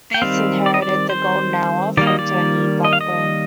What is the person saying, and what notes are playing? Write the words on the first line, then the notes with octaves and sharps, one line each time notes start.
Bates inherited "The Golden Hour" from Tony Blackburn.
G5
D#3 G3 C4 F5
D5
D#5
D5
C5
D#3 G3 A#3 D5
D#5
D5
D#5
F5
D#5